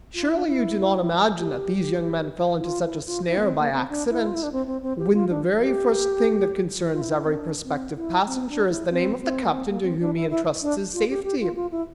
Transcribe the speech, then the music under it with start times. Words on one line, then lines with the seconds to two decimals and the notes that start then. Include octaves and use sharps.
Surely you do not imagine that these young men fell into such a snare by accident, when the very first thing that concerns every prospective passenger is the name of the captain to whom he intrusts his safety!
0.14 F4
0.24 E4
0.35 D4
0.46 E4
1.39 G4
2.60 E4
2.64 F4
2.85 E4
3.06 F4
3.27 E4
3.38 A#3
3.42 C4
3.58 A#3
3.74 C4
3.89 D4
4.10 E4
4.26 F4
4.34 E4
4.43 D4
4.52 C4
4.67 C4
4.82 C4
4.99 G4
5.14 F4
5.30 D4
5.62 G4
6.93 F4
7.01 E4
7.25 C4
7.33 D4
7.64 C4
7.97 E4
8.27 C4
8.49 D4
8.70 E4
8.90 C4
9.21 C4
9.42 A#3
9.53 C4
9.68 A#3
9.83 C4
10.00 D4
10.16 E4
10.30 E4
10.62 D4
10.94 F4
11.09 G4
11.24 G4
11.41 F4
11.56 F4
11.71 E4